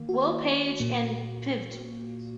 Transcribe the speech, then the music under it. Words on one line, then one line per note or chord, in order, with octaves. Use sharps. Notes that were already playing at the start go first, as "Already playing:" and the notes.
Will Paige, and Pvt.
Already playing: D#3 A#3
F#4
A#2 A#3